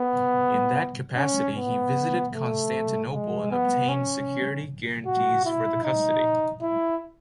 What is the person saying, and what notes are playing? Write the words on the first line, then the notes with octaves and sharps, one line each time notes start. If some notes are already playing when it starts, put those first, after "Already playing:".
In that capacity he visited Constantinople and obtained security guarantees for the Custody.
Already playing: B3
C#4
B3
A3
G#3
B3
C#4
F#4
E4
D#4
E4